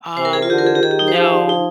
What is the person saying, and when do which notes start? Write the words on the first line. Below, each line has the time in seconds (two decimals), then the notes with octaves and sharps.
Um, no.
0.17 C3 C5
0.25 A#4
0.33 G#4
0.42 F4
0.50 D3 G4
0.58 A#4
0.66 G#4
0.75 G4
0.83 D#3 G#4
0.91 G4
0.99 D#4
1.08 C5
1.15 F3
1.49 D#4